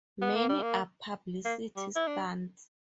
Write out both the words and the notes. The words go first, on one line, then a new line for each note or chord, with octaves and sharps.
Many are publicity stunts.
B3
A#3
G3
A#3
A#3
G3
E4
D4